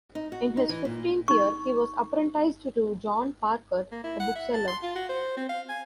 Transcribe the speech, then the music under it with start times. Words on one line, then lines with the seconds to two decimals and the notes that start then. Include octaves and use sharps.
In his fifteenth year he was apprenticed to John Parker, a bookseller.
0.15 D#4
0.32 F#4
0.57 D#4
0.69 E3
0.85 A#2
1.28 D#4 C#6
3.92 A#3
4.04 E4
4.20 F#5
4.36 E5
4.54 A5
4.68 C6
4.83 F4
4.96 F#4
5.09 C5
5.37 C4
5.49 F5
5.69 G#5